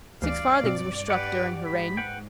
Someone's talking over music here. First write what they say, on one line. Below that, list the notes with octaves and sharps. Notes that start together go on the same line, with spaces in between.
Six farthings were struck during her reign.
D2 G2 E3 D5 F5
B2 C4
G4 B4 F#5 G5
G#2 B5
B4 F#5 G5